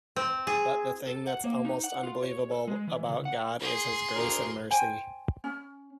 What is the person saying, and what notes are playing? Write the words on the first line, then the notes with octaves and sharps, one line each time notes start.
But the thing that's almost unbelievable about God is His grace and mercy.
C4
G#4
A4
F#5
A#3
D#4
F#5
F4
C#5
A4
G#3
E3
C#3
F#5
G#4 C6
D2 A#4
C5 G5 G#5
C#4